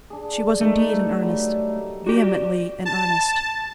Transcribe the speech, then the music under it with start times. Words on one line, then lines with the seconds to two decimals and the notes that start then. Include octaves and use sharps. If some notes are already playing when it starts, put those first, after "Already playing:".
She was indeed in earnest--vehemently in earnest.
0.10 D4 G#4
0.61 A3 D4 D#4 A#4
1.20 F#3 G3
2.07 F#4 G4 D5
2.85 A5